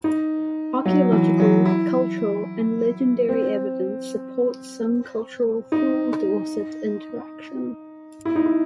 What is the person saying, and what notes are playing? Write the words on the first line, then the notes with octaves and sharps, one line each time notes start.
Archaeological, cultural and legendary evidence supports some cultural Thule-Dorset interaction.
D#4
F#3
E3
F#3
E4
C4
D#4
E4
D#4
E4